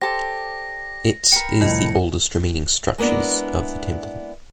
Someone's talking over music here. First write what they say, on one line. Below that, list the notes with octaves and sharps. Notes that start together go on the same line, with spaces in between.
It is the oldest remaining structures of the temple.
G4 A4 C5 D5 A#6
A#4 B4 G5 C#7
C2 F2 A2 E4 D#5
G#3 A#3 B3 D4 E4